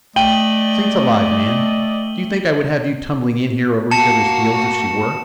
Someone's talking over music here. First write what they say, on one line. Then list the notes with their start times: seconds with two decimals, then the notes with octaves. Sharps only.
"Saints alive, man, do you think I would have you tumbling in here over each other's heels if she were?"
0.16 A3 D5 D#5 G5 D#7 F#7 G7
3.91 A#3 F#4 A5 C#7 E7